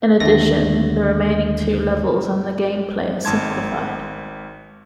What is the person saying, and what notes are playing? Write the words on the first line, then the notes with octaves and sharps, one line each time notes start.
In addition, the remaining two levels and the gameplay are simplified.
D#2 D3 A3 A#6
G#1 G#2 A5 C6 G#6